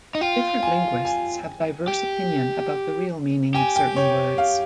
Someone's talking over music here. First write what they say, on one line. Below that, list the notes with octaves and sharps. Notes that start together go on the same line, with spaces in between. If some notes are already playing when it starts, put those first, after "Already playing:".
Different linguists have diverse opinion about the real meaning of certain words.
D#4
F4 G5
G#5
G#5
G4
G4 G#5
G5
C#5
F5